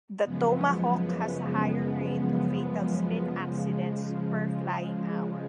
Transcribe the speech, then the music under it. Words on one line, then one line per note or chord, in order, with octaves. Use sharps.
The Tomahawk has a higher rate of fatal spin accidents per flying hour.
F#2 C#3 F3 G#3 B3
C#3 F3 G#3